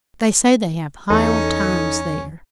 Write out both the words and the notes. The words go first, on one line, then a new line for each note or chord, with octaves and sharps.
They say they have high old times there.
E2 C#4 D#4 A4